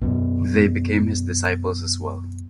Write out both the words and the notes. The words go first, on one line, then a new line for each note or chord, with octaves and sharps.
They became his disciples as well.
F#2 B2